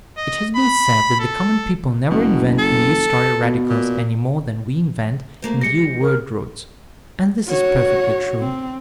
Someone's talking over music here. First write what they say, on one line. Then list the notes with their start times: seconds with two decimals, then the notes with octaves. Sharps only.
It has been said that the common people never invent new story-radicals any more than we invent new word-roots; and this is perfectly true.
0.17 D#5
0.56 B5
1.20 A4
2.10 F#1 B2
2.59 A4
3.43 B2
3.69 A#2
5.42 A3 A#3 C5
5.61 G#3 G4 A#6 C#7
6.02 A#4
7.48 F#4 C#5
8.40 C4